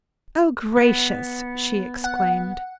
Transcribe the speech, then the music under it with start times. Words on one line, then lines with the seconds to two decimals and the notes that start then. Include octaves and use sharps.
"Oh, gracious!" she exclaimed.
0.77 B3
2.04 F#5